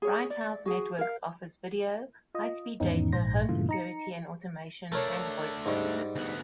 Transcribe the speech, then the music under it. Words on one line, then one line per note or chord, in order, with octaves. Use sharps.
Bright House Networks offers video, high-speed data, home security and automation and voice services.
G#4 C#5
D5
F#4 G#4
A#4 F5
F4 D#5
E2 G#2 D#3 B3 C#4 D#4
A#1 G#2 C5 A#6
G2 A#2 C#3 E3 A3 F4
D#4 A#5 C#7
A3 D4 A4 A#4 C#5
G#2 G3 C#6
D2 B3